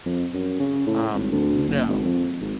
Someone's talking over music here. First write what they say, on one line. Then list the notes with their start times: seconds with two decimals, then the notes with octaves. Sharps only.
Um, no.
0.06 F2
0.34 F#2
0.60 C#3
0.87 A2
1.15 G#1
1.32 D2
1.68 F#1
1.89 G#1
2.05 F2
2.41 G#1